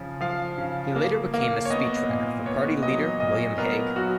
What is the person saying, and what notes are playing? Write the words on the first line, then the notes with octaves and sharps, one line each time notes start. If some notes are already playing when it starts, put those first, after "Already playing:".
He later became a speechwriter for party leader William Hague.
Already playing: C#3 F3
F3 F5
C#3
A#3
A#3
C#5
B3 D#5
A#2
B3 C#5
F#3 D#5
A#2 D#5
B3 A#4
F#3 F#4